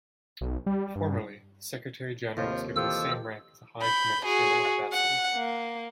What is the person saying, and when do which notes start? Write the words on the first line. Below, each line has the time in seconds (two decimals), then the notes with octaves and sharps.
Formally, the Secretary-General is given the same rank as a High Commissioner or ambassador.
0.41 B1
0.66 G3
0.96 G2
2.37 D#2 C3 F3
2.76 E3 F3 G4 A4 E6
3.82 B5 G6
4.25 F#4 G#4
4.92 F#5
5.34 A#3